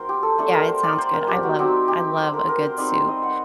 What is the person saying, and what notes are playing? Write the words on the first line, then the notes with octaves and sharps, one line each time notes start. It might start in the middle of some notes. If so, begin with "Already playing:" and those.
Yeah. It sounds good. I love I love a good soup.
Already playing: F#3 C4 D#4 A#4 C5
G4
A4
A3 D4 A4
A#4
C5
D5
C5
A#4
G4
F#4
F#3 C4 D#4 G4
G4
C5
A#4
A#4
C5
G3 C4 D#4 D5
C5
D#5
F#5